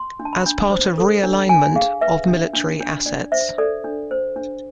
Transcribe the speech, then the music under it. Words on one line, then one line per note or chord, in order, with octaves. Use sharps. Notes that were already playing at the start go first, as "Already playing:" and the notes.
As part of realignment of military assets.
Already playing: C6
D4
A5
B5
D4
C5
A4
D4
D4 G#5
G#4 F5
B4 E5
D4
D4
D4
D4 D5
C5 E5
A4 D5
D4
C5
D4